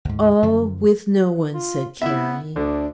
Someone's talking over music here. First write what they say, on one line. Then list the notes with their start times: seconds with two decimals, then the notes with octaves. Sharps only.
"Oh, with no one," said Carrie.
0.05 D2 G#2
0.43 F#2 D3 F3
1.54 F4
2.02 B3 E4 E5
2.56 D2 D3 D4